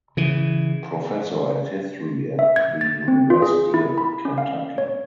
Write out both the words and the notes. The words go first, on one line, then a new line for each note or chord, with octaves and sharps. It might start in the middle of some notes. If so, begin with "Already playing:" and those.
Professor of History at the University of Kentucky.
C#3 E3
E5
G#6
A6
C4
F4
G#4
E4
B5
C#4
F5
C#5